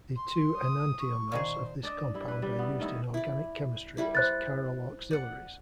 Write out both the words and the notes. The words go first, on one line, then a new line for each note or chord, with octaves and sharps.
The two enantiomers of this compound are used in organic chemistry as chiral auxiliaries.
C6
D#6
C#6
A#2 D#3 G#4 C5
D4 D5 D#5
G3 E4
E4 B4
G3
B3 E4
D#3 A3 E4 D#5
E4 D5
G3 E4 D5
C5 F#6 A6
D5 F#5